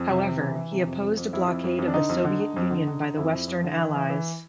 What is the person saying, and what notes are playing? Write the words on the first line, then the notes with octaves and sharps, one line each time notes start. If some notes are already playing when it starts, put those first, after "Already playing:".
However, he opposed a blockade of the Soviet Union by the western Allies.
Already playing: F2
C3
C3
E3
E3
C3
F2
F2
F2
F2 E4
F2
F2
F2
D4
D3 D#4
F2
D3
D3
F2
D3
D3
D3
F2 E4
F2
F2
D3
E3
E3
E3